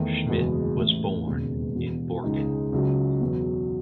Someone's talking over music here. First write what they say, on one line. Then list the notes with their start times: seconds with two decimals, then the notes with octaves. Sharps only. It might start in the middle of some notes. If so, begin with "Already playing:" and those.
Schmidt was born in Borken.
Already playing: E2 D#3 A3 D#4
0.29 F#1 E2 B2 G#3 B3
0.77 A1 A2 E3
1.26 E1 D#2 C#3 G#3 B3
1.75 E1 E2 B2
2.24 C#2 C#3 G#3 D#4
2.72 C#2 C#3 F#3
3.21 E2 B2 F#3